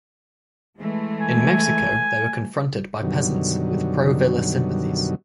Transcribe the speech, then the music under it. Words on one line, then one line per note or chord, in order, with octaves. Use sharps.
In Mexico they were confronted by peasants with pro Villa sympathies.
E3 G#3 A3
G#5
F#2 B2 D3 D#3 F#3 G3